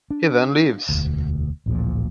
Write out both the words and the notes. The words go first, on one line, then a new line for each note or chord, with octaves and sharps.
He then leaves.
D4
E1 D2
A1 D2 A#2 F3